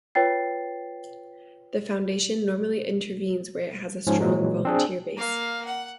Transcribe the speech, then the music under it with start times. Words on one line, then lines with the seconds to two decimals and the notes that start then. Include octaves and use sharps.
The Foundation normally intervenes where it has a strong volunteer base.
0.15 F4 B4 C#5 G5 A6 C7
4.07 G#2 F3 C#4
4.20 A#2 E3 F#3 G#3
4.65 C4 D4 G#4
5.17 A#3 F5
5.66 F#5